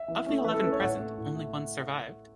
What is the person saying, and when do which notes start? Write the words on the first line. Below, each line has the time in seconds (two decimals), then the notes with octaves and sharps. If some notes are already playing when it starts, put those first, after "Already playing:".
Of the eleven present, only one survived.
Already playing: E5
0.08 E3
0.26 A3 C#4
0.44 E3 B4
0.53 A4
0.63 A3 C#4 B4
0.72 C#5
0.81 A2 F#5
0.99 A3 E4
1.18 A2
1.36 A3 E4